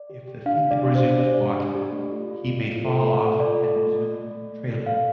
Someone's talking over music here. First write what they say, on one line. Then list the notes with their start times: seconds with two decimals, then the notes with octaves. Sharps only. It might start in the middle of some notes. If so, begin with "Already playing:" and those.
If the female resumes walking, he may fall off and resume trailing.
Already playing: D5
0.10 G4
0.27 G4
0.46 D4 F5
0.64 D4
0.71 D5
0.83 G4
0.95 C5
1.02 G4
1.19 D4 D5
1.38 G4
1.57 D4
1.75 G4
1.93 A3
2.12 F4
2.30 F4
2.48 A3
2.66 F4
2.85 A4
3.03 A3
3.21 A4
3.39 F4 D5
3.58 A4
3.76 A3
3.95 A3
4.13 A3
4.31 A3
4.49 A3
4.68 A4
4.86 A3 F5